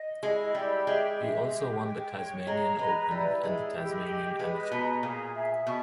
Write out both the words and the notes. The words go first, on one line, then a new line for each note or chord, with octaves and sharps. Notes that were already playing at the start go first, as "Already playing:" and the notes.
He also won the Tasmanian Open and the Tasmanian Amateur.
Already playing: D#5
G#3 E4
G3 G4
G#3 E5
E5
G4
G5
C#5
G#3 A#5
G#3 B4
G3 E4
G#3 E4
G4
D#5
G#3 B4
B2 A#5
A#2 G#4
E5
B2 C#6